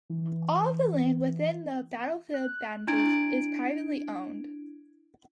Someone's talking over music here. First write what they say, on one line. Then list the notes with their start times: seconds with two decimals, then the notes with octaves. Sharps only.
All of the land within the battlefield boundary is privately owned.
0.10 E3
2.34 F#6
2.87 D4 E4 G#6 D7